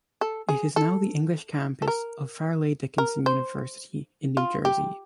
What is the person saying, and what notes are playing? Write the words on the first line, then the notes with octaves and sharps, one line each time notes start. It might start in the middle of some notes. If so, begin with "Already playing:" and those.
It is now the English campus of Fairleigh Dickinson University in New Jersey.
A4
G#4
A4
A4
A#4
A#4
C5
F4
G4